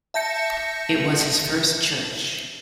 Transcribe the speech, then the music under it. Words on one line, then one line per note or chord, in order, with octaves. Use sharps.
It was his first church.
E5 A5 G6 A#6 C#7